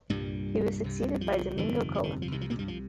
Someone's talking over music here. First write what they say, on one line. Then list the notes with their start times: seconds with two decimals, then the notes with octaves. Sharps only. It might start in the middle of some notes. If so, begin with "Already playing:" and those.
He was succeeded by Domingo Cullen.
0.10 C2 G2 A#2 G3
0.84 C2 C3
1.21 F3
1.58 G1 F2 C3 D#3
1.94 F3
2.03 D#3
2.22 F3
2.31 C2 C3 D#3
2.41 F3
2.50 A#2 A#3
2.59 G2 G3
2.68 F3